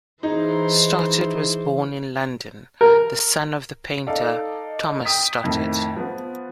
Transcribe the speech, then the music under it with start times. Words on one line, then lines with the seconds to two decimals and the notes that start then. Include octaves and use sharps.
Stothard was born in London, the son of the painter, Thomas Stothard.
0.23 E3 D#4 E4 G#4 C5
2.81 A#4
4.07 D#4 A4 D5 F5
5.05 G5 D#6 B6
5.44 F2 A2 D#3
5.96 F3 B3